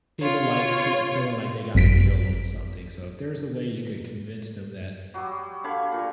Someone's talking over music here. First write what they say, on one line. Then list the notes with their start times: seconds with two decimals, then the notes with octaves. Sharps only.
people like, fee feeling, like, they got a deal on something, so if there's a way you could convince them that,
0.21 F4 C#5
1.75 G#1 F#2 B6 D7
5.14 F#3 G3
5.64 D3 C#5 F5 B5
5.92 A#2